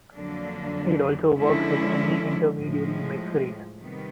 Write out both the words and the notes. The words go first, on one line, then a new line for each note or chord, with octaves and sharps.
It also works with any intermediary mix rate.
F2 D3 F#3 A#3 D4
D3 F3 G#3 C#4 E4
A2 F3 G#3
C3 D#3 G3 B3